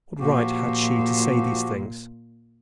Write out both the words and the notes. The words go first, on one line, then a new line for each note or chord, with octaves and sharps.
What right had she to say these things?
A#2 F3 F#4 G4